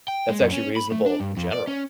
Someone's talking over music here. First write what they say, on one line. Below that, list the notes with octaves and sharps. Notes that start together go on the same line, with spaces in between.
That's actually reasonable in general,
G5
G#3
F#2
C#4
B5
A3
D4
G2
F2
D5
C#4